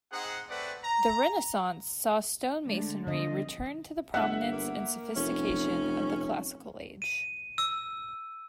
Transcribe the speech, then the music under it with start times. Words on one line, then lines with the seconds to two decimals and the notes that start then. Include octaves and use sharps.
The Renaissance saw stonemasonry return to the prominence and sophistication of the Classical age.
0.12 C4 D#4 G#4 F#5
0.49 A3 C4 B4 D5 F#5
0.84 A#5
2.66 D3 G#3 A3
3.07 D3 F3 G3 C4 D#5
4.14 G1 E5 F#5 F#6
4.52 A#3
5.16 F1 C#4
7.02 D#7
7.58 E6